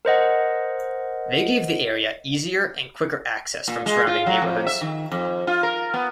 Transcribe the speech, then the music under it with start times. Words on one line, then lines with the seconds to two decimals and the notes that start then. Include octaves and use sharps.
They gave the area easier and quicker access from surrounding neighborhoods.
0.05 A#4 C5 D#5 F#5
3.68 A#2
3.86 G#3
4.07 F4
4.26 F#3
4.42 F2
4.67 E5
4.81 D#3
5.12 F2
5.47 F4
5.63 A#4
5.94 B3